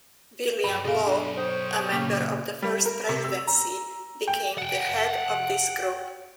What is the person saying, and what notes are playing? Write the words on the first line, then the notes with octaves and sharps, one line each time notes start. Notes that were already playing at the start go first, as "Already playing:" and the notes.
William Law, a member of the First Presidency, became the head of this group.
B1 G2 F#3
D2 B2 A4 A#4 F5
B1 D4
C5 C#5 G5 D#6
A#2 C#3 A#3 C#4
G3
A#4
C3
E6
A#5
G5
F#5 G5